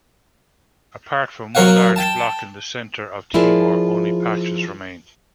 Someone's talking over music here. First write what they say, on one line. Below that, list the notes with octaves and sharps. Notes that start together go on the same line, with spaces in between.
Apart from one large block in the centre of Timor only patches remain.
F#3 A#4 C#5 F5 F#5
G5 A5
F3 E4 F4 G#4 A#4 D5